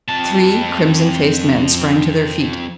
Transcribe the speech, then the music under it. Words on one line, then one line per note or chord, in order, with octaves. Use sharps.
Three crimson-faced men sprang to their feet.
F2 A5